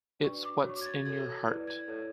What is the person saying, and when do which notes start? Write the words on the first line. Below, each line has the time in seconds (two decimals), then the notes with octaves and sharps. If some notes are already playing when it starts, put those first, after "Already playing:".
It's what's in your heart.
0.24 D4 F#4 B4 D5 C#6
0.45 D6
0.65 F#4 C#5 C#6
0.76 D6
0.81 G#6
0.86 A6
1.05 F#4 A4 C#5 G#6
1.46 E4 B4 D5
1.67 G#6
1.88 E4 A4 C#5